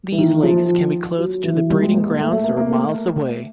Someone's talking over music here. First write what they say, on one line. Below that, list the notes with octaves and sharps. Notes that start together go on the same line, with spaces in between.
These lakes can be close to the breeding grounds or miles away.
E3
D#3
F3
F#3
E3
G3
G#3
A#3
A#3
A3
A3
A#3
A#3
A3